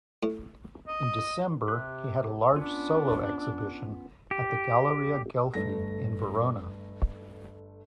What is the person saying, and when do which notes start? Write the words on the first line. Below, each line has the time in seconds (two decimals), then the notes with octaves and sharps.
In December he had a large solo exhibition at the Galleria Ghelfi in Verona.
0.23 A2
0.87 D#5
1.68 C3 G4 C6 F#6
2.56 B3 C#4 D4 F4
4.31 G4
5.54 G1 A3 A#6